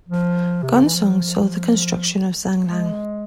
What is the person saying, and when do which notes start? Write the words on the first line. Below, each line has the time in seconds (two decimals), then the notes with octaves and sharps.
Gongsun saw the construction of Xiangyang.
0.09 F3
0.63 C3
0.74 C#3
0.84 E3
0.95 F3
2.67 G#3